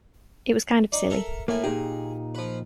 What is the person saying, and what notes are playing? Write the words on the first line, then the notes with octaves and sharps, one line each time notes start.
It was kind of silly.
D#4 D5
A4 A#4 E5
A2 A3 A#3 G#5
A#2 D#4 G4 G#4
F3 B4